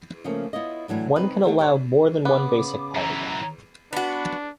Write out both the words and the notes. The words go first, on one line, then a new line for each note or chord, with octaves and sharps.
One can allow more than one basic polygon.
C#3 F3 A3 A#3 C#4
B3 E4 F4 C#5 D#5
A2 E3 F#3 D4
C#3 C4 D#4 B4
D3 D#3 A3 F4
D4 G4 B4 C#5
C#3 B3 D6
F#2 E3 A#5
B3 D4 F#4